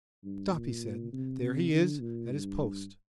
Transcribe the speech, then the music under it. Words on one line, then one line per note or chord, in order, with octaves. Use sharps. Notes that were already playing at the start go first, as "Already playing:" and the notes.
"Stop!" he said, "there he is at his post."
G2
A#2
C3
C3
D3
A#2
G2